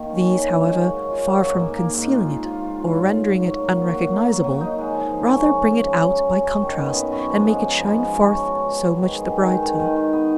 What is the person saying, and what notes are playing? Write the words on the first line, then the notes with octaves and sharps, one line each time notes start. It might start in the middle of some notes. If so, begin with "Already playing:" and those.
These, however, far from concealing it, or rendering it unrecognizable, rather bring it out by contrast and make it shine forth so much the brighter.
Already playing: D#3 A#3
C#4
C#3
C#3
G#3
C#4
F#3
F4
F#3
G#2
A#3
A#3
G#2
F4
F4
F4
F4
F#3
G#2
F4
F#3
F#3
A#3
F#3
F#3
A#3
F#3
F#3
D#4
G#3
F3
F3
C#4
C#5
C#4
C#4
F#3
F#2
F#2
F#2
D#3
B3
B3
F#2
F3
G#3
D#4
F3
G#3
F#4
C#5
F#4
F3
G#4
D#3
G#3
D#3
D#3
D#3
D#3
D#3
B3